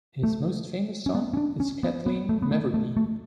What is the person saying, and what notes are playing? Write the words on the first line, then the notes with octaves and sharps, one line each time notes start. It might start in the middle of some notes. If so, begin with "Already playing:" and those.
His most famous song is "Kathleen Mavourneen".
A3
C#4
B3
C#4
D4
C#4
B3
B3
A3
B3
A3
A3
A3